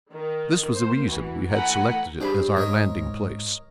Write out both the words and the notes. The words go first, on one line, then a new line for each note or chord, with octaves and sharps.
This was the reason we had selected it as our landing place.
D#3
A#3 C5
E3 F#4
E3 A3 F#5 G#5 A#5 B5
G2 D4 G#4 C5 B5
G#2 A#4 C#5 D#5